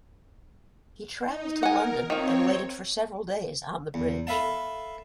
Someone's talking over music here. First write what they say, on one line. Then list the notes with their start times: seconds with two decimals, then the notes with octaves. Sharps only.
He travelled to London, and waited for several days on the bridge.
1.24 D#4
1.63 A#4 F#5 G#5
2.10 D#3 F3 C4 C#5
3.94 E2
4.27 A4 B4 E5 F5 A5